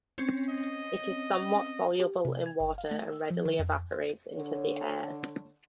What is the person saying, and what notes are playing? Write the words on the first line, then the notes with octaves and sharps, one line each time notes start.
It is somewhat soluble in water and readily evaporates into the air.
C4 C#4
D#5
G4
C3
G#6
G1
F5
A3
E6
F3
D#3
F2
C5
D3 C#5